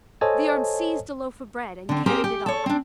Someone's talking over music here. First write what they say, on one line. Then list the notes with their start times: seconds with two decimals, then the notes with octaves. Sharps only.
The arm seized a loaf of bread and carried it off.
0.21 A4 C5 C#5 D#5 G#5 A5
1.89 D3 C4
2.06 C4 G4 G#4 A#4
2.24 G4 G5
2.46 A4 C#5
2.66 C4 D4